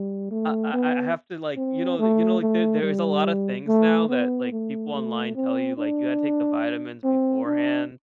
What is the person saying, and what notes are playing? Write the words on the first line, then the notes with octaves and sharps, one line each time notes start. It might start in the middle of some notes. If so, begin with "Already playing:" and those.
I I I have to, like, you know the you know, like there there's a lotta things now that, like, people online tell you, like, you had to take the vitamins beforehand.
Already playing: G3
A3
B3
C4
A3
A3
G3
A3
B3
A3
A3
C4
D4
C4
D4